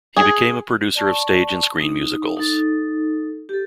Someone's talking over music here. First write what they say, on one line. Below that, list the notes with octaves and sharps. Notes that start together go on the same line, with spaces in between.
He became a producer of stage and screen musicals.
G#4
D5 A5 C#6
D#4
D#4 A4
G4 A4